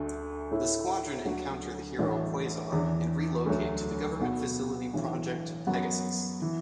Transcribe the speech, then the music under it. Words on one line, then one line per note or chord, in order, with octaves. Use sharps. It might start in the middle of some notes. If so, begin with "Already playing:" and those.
The Squadron encounter the hero Quasar, and relocate to the government facility Project Pegasus.
Already playing: D2 D3 A3
A2 A3 E4
D2 D3 F#3 D4 F#4
A1 A2 E3 D4 F#4
E2 E3 D4
D2 D3 F#3 A3
B1 B2 B3 F#4
B1 A2 E3 D4 F#4
F#2 F#3 B3 F#4
E3